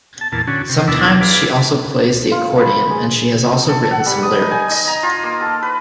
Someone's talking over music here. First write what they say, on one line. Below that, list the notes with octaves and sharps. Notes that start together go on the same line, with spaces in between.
Sometimes, she also plays the accordion and she has also written some lyrics.
A5
E2 A#2 A5
D3 C#4 F#4
C3
D#2 B2 D4 E4 E6
G#4 B4 D5 F5
F4
B5
G#4
A4
F#5
G3
D#6
D#4
G#5
D#5
A#5
F4
A#3
A4
B4